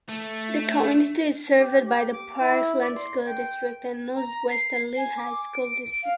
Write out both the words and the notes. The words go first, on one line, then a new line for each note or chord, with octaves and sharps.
The community is served by the Parkland School District and Northwestern Lehigh School District.
A3
G4
G4
D6
E4
D5
C6
G5
A#5
C7
G#5
D6
D7
F5